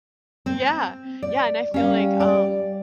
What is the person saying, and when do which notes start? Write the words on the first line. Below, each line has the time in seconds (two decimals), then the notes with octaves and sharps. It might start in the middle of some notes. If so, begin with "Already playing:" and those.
Yeah, yeah, and I feel like, um,
0.46 C4
1.23 D5
1.74 G3 C#4 F5
2.20 D5